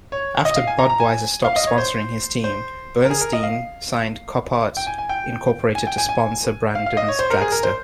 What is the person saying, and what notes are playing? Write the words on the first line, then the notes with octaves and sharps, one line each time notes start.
After Budweiser stopped sponsoring his team, Bernstein signed Copart Incorporated to sponsor Brandon's dragster.
C#5
D#5
F5
G#5
A#5
A#5
G#5
F5
D#5
C#5
C5
C5
A#4
G#4
A#4
D#5
F5
G5
G#5
G#5
G5
G#5
G5
G#5
G#5
F5
F5
D#5
C#5
C5
A#4
G#4
A#4
C5